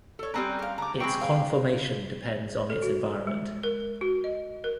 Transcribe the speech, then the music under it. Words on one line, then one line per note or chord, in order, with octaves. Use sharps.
Its conformation depends on its environment.
A4 C#5
G3 C4 C#4 B4 A#5
A#4 F5
D3 A#5 D6
G#3 C4 G5 B5 C#6
F5
A4
F#4
G#3
A#4
F#4
D#5
A#4